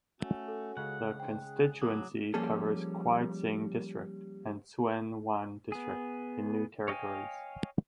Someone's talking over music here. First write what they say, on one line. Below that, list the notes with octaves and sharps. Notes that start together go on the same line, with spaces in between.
The constituency covers Kwai Tsing District and Tsuen Wan District in New Territories.
A3 C#4 F#4
A4
C#3 G#3 F5 F#5
E3 D4 C5 G5
G#4
F#3 D6 D#6
F3 G3 A#3 C#4 G#4 A4
B3 G#4
C#5 D#5 F5 G5 G#5